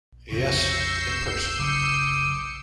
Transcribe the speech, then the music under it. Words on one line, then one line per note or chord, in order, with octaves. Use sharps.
Yes, in person.
F2 C#3 C#6 E6 G6 A#6 C7
F#1 D6 D#6 C#7